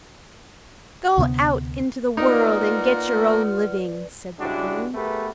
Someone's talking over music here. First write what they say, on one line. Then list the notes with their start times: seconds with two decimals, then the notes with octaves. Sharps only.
"Go out into the world and get your own living," said the Queen.
1.18 D2 C3 G#3 B3
2.17 A#3 D#4 F4 B4 D5 F#5 F6
4.39 C#3 G3 G#3 D4 E4 F#4
4.94 A3 B3 G4 G#4 A#4 B4